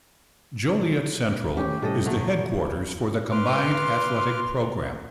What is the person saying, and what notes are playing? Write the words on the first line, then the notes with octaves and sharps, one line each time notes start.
Joliet Central is the headquarters for the combined athletic program.
D#3 A3 C#4 G4
A2 C3 G3 C#4 A4 D#5
A#2 F#3 A3 A4
B4 C6 D6 F6